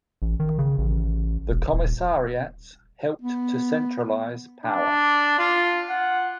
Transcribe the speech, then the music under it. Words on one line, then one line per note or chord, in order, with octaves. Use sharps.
The commissariats helped to centralize power.
A1
D#3
C#3
A1
E1
D#1
B3
D4
F4
F#5